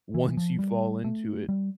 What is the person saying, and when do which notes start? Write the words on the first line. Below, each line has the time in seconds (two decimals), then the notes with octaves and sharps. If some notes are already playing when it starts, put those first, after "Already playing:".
once you fall into it,
0.14 E3
0.37 F3
0.59 G3
1.04 A3
1.49 G3